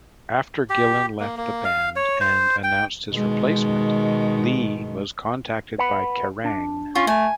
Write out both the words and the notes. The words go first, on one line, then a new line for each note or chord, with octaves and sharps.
After Gillen left the band and announced his replacement, Lee was contacted by Kerrang!
G4
A#3
A#3
F5
C#5
C5
G5
B2 D#3 G#3
B4 F#5 B5
D4
C#4 F4
A3 G#5